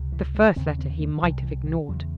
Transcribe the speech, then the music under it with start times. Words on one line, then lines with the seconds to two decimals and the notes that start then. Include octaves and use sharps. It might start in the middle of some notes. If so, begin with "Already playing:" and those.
The first letter he might have ignored.
Already playing: C#2 C3
0.12 E3
0.35 G#3
0.56 D#2 C#3 C4
0.79 C4
1.01 A3
1.17 E3
1.23 C2 F#3
1.26 C3
1.44 E3
1.67 D#3
1.88 E2 C#3 F#3